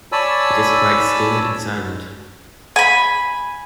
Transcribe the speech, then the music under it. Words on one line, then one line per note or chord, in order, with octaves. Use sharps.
It is quite still and silent.
C#5 D5 G#5 A5 B5 E6
G#5 B5